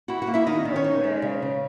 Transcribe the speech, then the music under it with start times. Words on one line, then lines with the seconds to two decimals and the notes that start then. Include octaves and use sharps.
No way!
0.08 E4 F#4 F#5
0.22 F#4 F#5
0.27 A#3
0.34 E4 E5
0.46 D#3 D#4 D#5
0.65 D#3
0.76 C#4 C#5
0.84 D#4
1.04 G#3
1.22 C#3
1.42 C#3